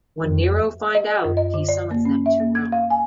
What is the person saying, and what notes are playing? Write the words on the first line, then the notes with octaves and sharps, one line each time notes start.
When Nero find out, he summons them to Rome.
F2
D#5
F#2
D#5
D3
D5
A#3
C#4
E5
A#3
G#6
F5
G#5